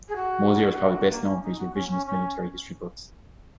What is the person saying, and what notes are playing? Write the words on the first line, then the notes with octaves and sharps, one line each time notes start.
Mosier is probably best known for his revisionist military history books.
G#4
F#4
A#3
C#4
D#4
F#4
C#4
A#3
C#4
C#4